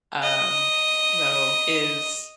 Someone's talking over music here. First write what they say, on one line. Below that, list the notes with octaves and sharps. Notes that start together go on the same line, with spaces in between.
um, though, is,
D#5